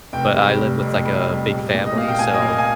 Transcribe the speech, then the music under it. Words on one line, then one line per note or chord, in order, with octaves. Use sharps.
but I live with, like, a big family, so,
F1 G5
G3
F1
F2
G3
G3
A#1
A#2
D#5
A#2 F5
G5
A#2 G#5
D#5
A#2 F5
G#5